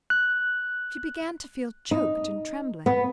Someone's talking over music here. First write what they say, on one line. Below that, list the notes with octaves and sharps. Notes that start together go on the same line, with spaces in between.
She began to feel choked and trembling.
F#6
D#4
B3